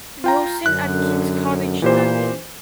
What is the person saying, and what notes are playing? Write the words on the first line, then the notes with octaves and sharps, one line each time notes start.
Wilson at King's College London.
F4 G5 A#5
F#2 D3 F#6
A#2 E3 G4 C5